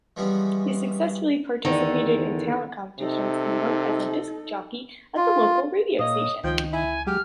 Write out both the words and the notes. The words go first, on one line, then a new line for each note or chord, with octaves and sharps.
He successfully participated in talent competitions and worked as a disc jockey at a local radio station.
E3 F3 G3 G#3 B3 C#4
E2 D3 D#3
C3 D#4 A4
F4
A#2 C#5 D#5 F5 D#6
C#2 D#3 F3 G5
E4 G#5
F#3 G#3 G4 F6